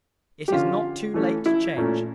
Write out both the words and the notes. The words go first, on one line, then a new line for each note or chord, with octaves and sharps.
It is not too late to change.
G4
D3 F3 C#4 F4
E3 A3 C#4
E4
A#2 A3 C#4